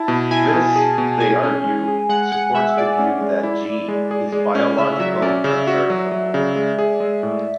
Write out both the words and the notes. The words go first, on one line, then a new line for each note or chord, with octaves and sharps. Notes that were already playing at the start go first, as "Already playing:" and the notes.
This, they argue, supports the view that "g" is biological and heritable.
Already playing: E4 A5
B2
E4 G#5
B2
G#4
B2
G#4 G#5
C#4
G#3
G#4
G#3 F#5
G#3 F#5
G#3 E5
G#4 D5
C#4
G#3
E4
E4
G#3
G#4
G#3
C#4
C#3 E5
F#3 E5
C#4 D5
C#3 E5
F#4 E5
F#3
F#3
C#3
G#3
G#4
G#3
A2